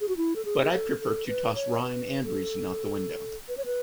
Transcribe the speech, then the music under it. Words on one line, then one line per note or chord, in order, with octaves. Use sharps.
But I prefer to toss rhyme and reason out the window.
G#4
F#4
E4
A4
G#4
G#4
A4
A4
B4
C#5
B4
A4
B4
C#5
B4